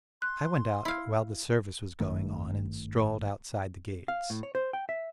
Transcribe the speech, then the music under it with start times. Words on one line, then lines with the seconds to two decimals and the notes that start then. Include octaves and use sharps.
I went out while the service was going on and strolled outside the gates.
0.22 C6 F#6
0.85 E4 F5
2.00 G#1 G2 D#3 A3
4.08 F5
4.30 A2
4.43 C#5
4.55 C5
4.73 G5
4.89 E5